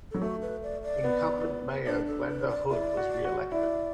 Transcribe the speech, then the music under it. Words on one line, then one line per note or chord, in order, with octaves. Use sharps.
Incumbent mayor Glenda Hood was reelected.
F#3 A4
A3 F#4
B4
D5
D5
B3
D4 B4
A4
B4
D5
E4 D5
F#4
F#4
E4 D5